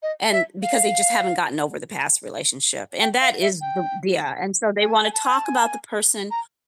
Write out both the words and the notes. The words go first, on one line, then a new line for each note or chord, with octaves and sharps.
and because they just haven't gotten over the past relationship, and that is the yeah, and so they wanna talk about the person
D#5
E5
F5
G5
F5
E5
G5
G#5
A5
G#5
A5
G#5
A5
G#5
A5
G#5
A#5